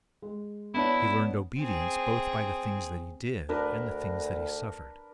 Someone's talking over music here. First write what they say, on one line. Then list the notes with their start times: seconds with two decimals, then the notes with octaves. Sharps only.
He learned obedience both by the things that He did, and the things that He suffered.
0.22 G#3
0.74 B3 D4 E4 C#5
1.59 C4 G#4
3.49 D2 D4 A#4 B4